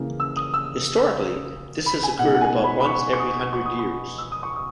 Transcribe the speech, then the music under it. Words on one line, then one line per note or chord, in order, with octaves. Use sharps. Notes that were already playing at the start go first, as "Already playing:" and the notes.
Historically this has occurred about once every hundred years.
Already playing: C#3 E3 A#3 C#4
E6
D#6
E6
B5
G#5
B2 G#3 D#4 F#5
F#5
G#5
B5
B5
C#6
C#6
D#6
C#6
D#6
C#6
E6
D#6
C#6
D#6